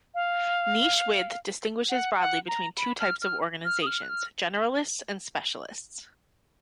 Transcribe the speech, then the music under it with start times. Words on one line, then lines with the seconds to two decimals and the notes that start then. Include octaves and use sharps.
Niche width distinguishes broadly between two types of organizations: generalists and specialists.
0.15 F5
1.90 F#5
2.19 F#5
2.48 A#5
2.77 B5
3.00 F6
3.21 F6
3.65 F6
3.82 D#6
3.87 F6
4.02 F#6
4.09 F6